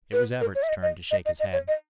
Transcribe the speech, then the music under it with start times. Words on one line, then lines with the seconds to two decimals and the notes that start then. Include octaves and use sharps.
It was Everts' turn to shake his head.
0.13 B4
0.41 A#4
0.55 C#5
0.63 E5
0.69 D#5
0.82 D#5
1.11 D#5
1.26 D#5
1.40 D#5
1.53 C#5
1.68 D#5